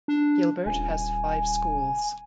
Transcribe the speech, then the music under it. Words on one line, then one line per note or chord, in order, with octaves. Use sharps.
Gilbert has five schools.
D4
D#1 G#5